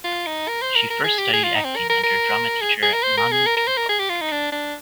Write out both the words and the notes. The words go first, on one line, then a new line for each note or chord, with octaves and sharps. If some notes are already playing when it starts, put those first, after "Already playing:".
She first studied acting under drama teacher Manu Tupou.
F4
D#4
A#4
C5
A#4
A#4
G#4
G4
G#4
F4
D#4
C4
A#4
A#4
A#4
G#4
G#4
A#4
C5
A#4
G#4
A#4
A#4
C5
A#4
G#4
G4
F4
D#4
D4
D4